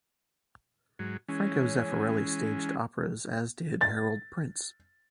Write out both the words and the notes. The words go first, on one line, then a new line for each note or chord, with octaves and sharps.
Franco Zeffirelli staged operas as did Harold Prince.
G#2 F#3
E3 G#3 C#4
A6